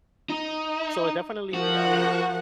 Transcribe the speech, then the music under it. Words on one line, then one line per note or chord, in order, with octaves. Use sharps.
So I definitely, I mean e e
D#4
F3 F#4 A#4 F#5